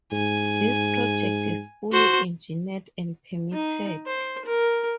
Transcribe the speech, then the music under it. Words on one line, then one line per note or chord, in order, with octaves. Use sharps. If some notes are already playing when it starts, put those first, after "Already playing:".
This project is fully engineered and permitted.
G#2 G#5
F#4 C5
D#4
C5
A#4